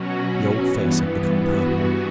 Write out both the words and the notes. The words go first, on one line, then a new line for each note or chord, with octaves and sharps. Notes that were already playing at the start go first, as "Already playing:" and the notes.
The old face had become purple.
Already playing: B2 F#3 C#4 F#4
G2 E3 B3
G2 E3 B3 F#4